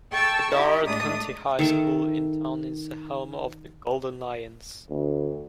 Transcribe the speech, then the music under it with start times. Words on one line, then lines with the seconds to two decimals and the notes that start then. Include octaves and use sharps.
The Garrard County High School in town is the home of the "Golden Lions".
0.11 A4 G5 A5 C#6 E6
0.51 D#4 E4 G4
0.85 A2 G#3 A3 D4 D#6
1.59 D#3 A4 E5
4.90 D2